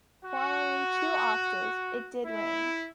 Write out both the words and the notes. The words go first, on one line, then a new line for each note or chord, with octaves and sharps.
Following two off days, it did rain.
F#4
E4